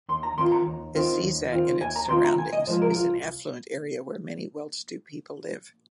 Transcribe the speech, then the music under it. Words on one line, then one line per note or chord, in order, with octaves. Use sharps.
Ezeiza and its surroundings is an affluent area where many well-to-do people live.
D#2 C6
A#5
D#3 C4 F4 C6
A#5
D#2
D#3 C4 F4
D#2
D#3 C4 F4
D#2 G#5
A#5
D#3 C4 F4 C6
A#5
C2 G#5
D#5
C3 F3 G#3 F4 C5
A#4
C2 F4